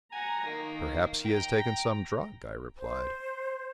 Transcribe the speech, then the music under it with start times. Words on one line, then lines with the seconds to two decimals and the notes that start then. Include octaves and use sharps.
"Perhaps he has taken some drug," I replied.
0.13 F#5 G#5 A#5
0.47 D#3 A#3
1.25 G5 A#5
2.78 C5